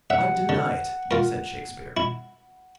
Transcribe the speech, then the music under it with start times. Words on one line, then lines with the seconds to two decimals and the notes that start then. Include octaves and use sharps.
"I deny it," said Shakespeare.
0.10 E5 F#5
0.49 D3
1.11 F4 A#4
1.97 E4